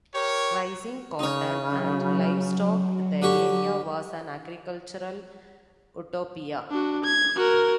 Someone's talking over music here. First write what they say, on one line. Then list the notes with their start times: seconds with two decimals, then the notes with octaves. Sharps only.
Raising cotton, and livestock, the area was an agricultural Utopia.
0.15 G4 A#4 C#5
1.19 C#3 D#4 C#5
1.68 F#3
3.22 D3 G4 C#6
6.70 D4 F#4
7.04 G#6
7.36 F#4 A#4